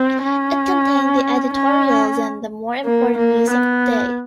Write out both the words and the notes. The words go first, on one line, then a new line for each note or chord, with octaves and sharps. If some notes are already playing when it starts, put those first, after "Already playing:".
It contained the editorials and the more important news of the day.
Already playing: C4
C#4
C#4
A#3
A#3
B3